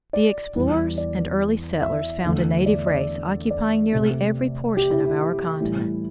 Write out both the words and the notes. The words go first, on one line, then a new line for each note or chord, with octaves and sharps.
The explorers and early settlers found a native race occupying nearly every portion of our continent.
D5
E2 E3 G3
D5
E5
E2 D3 A3
D5
D5
D5
C3 A3
G4
E4
E4
A2 E3 G3